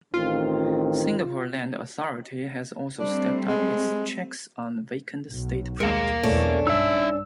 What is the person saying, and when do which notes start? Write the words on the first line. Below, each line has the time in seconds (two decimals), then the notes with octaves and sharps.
Singapore Land Authority has also stepped up its checks on vacant state properties.
0.14 A1 D#3 C4 F4
2.99 G3 A3 C4 D4
3.48 G#3
5.30 B1
5.80 D#2 G#3 A#4 F5 C#7 E7
6.23 B1 E2 A3 C#4 D4
6.67 G2 D#4 E5 E6